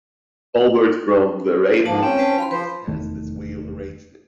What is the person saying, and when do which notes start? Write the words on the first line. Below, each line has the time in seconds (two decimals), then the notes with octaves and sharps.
"Albert" from The Railway Series has this wheel arrangement.
1.85 G#2 F3 A#3 D4 C5 A5
2.03 C4 C#4 C#5 G5
2.18 B4 C5 A5
2.38 F5 B5 C6
2.51 F3 B4 C5
2.87 F1 E2 D#3 A3